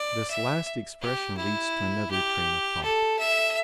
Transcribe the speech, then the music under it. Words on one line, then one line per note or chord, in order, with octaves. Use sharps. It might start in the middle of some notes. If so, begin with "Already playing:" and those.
This last expression leads to another train of thought.
Already playing: D5
E5
G4
E4
G4
A4
E5